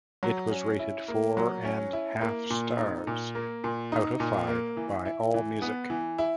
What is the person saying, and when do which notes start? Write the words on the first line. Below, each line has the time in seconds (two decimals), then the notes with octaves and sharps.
It was rated four and half stars, out of five, by AllMusic.
0.23 F#3
0.51 C#4
0.79 E4
1.08 A#3
1.37 F#3
1.65 C#4
1.93 E4
2.21 A#3
2.50 A#2
2.78 D#4
3.07 A#2
3.35 A#3
3.64 A#2
3.92 D#4
4.20 A#2
4.48 A#3
4.77 E3
5.05 E4
5.34 E3
5.62 B3
5.90 E3
6.18 E4